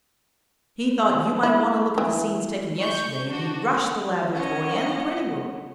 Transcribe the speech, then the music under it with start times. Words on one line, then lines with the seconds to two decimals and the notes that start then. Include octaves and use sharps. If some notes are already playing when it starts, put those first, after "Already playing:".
He thought you might want to look at the scenes taken yesterday and he rushed the laboratory and the printing room.
1.43 E4
1.98 E3
2.78 C#6 G6
3.28 D4 F#4
4.33 C#4 C#5 D#5 F#5